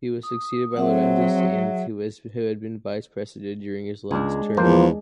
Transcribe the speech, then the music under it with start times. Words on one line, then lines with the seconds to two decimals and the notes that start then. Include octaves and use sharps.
He was succeeded by Lorenzo Sanz, who had been vice-president during his last term.
0.23 D#6
0.77 F#3 C4 G#4 E5 F#5
4.11 C#2 G#3 D4 G#4
4.57 E2 F3 A#3 C5